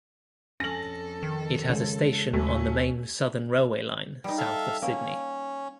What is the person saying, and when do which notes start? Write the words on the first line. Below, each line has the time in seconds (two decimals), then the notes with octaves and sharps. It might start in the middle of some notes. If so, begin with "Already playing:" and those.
It has a station on the Main Southern railway line south of Sydney.
0.60 F2 C#4 A4 A#6 F#7
1.23 D#3
1.70 C#3 G#3
2.33 D#2 F#3 A3 C#4
4.24 G3 D#4
4.38 A4 E5 F5
4.82 A#3 C#4